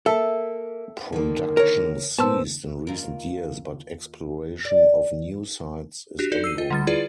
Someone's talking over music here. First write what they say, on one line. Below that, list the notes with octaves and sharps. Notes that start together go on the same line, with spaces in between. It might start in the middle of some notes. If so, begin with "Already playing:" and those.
Production ceased in recent years but exploration of new sites is ongoing.
A#3 A4 E5
D3 D#3 A#3
A#4 C#5
A#2 B3 C5 A5 E6
D#2 F4 A#4
D5
D4 F#4 G4
D#4 F#4 A4 D5
E6 C7 D#7
F4 D#5
D3 G3 A6
E4 F4 G#4 B4 D5